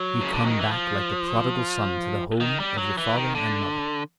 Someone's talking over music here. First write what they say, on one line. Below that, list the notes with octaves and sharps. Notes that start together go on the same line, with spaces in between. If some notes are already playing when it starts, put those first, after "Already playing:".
You come back like the Prodigal Son to the home of your father and mother.
Already playing: F#3
C#3
D3
D#3
E3
F3
D#3
G3
F#3
E3
D#3
D3